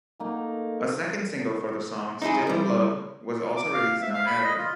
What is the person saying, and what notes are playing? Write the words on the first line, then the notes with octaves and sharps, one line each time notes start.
A second single for the song "Still in Love" was also released in America.
A3 A#3 D#4
D#4 E4 G#4
G3 E4
D6
F5
E5
F5
B5
D#5
F4